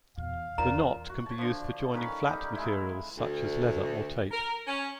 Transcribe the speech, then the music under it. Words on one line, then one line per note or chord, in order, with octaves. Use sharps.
The knot can be used for joining flat materials such as leather or tape.
E2 B2 F5
E2 A#2 A#5
F#4
C#5 A5
D3 F3
D#3 C#4 B4
G3 D#4
G#3 E4
D2
A#4
C#4